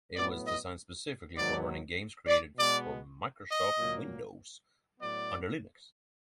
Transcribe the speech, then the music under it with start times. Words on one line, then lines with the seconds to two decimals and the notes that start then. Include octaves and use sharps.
It was designed specifically for running games created for Microsoft Windows under Linux.
0.16 A2 F#3 B3 D5
0.46 D#5
1.36 G#2 D#3 F#3 B3 D5
2.27 D5
2.57 B2 G#3 B3 D5
3.49 D#5
3.78 A#2 F#3 A#3
5.00 A2 F#3 B3 D5